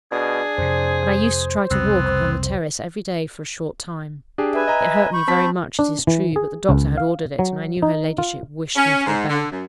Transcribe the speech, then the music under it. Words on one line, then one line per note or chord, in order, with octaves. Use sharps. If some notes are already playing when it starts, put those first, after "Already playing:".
And I used to try to walk upon the terrace every day for a short time: it hurt me very much, it is true, but the doctor had ordered it, and I knew her ladyship wished me to obey.
B2 D4 G#4
F2 C3 C5
C2 F2 C#3 B3 C4
D4 G4 G#4
B4 E5 G#5
D#5 A#5
B5 C#6 G6
C4 A5 B6
D4
E3
G#4
C#2
F5
F#3
D#4
F4
C#4
G#2
D3
F#2